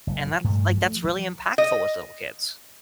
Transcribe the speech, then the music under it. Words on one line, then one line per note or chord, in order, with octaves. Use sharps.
And that's like, that's really impactful with little kids.
F#1
F3
G2 F3 A3
F3 A3
F3
D#5